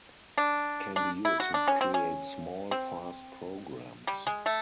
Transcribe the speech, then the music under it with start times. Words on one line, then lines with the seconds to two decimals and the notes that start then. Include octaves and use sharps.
It can be used to create small, fast programs.
0.38 D4
0.96 D4
1.25 E4
1.40 F#4
1.54 D4
1.68 C#4
1.81 C4
1.94 C#4
2.71 C4
4.07 G3
4.27 G#3
4.46 A3